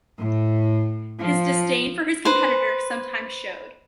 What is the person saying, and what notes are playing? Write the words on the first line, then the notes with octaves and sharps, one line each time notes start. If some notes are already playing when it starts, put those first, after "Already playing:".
His disdain for his competitors sometimes showed.
A2
F3
B4 C5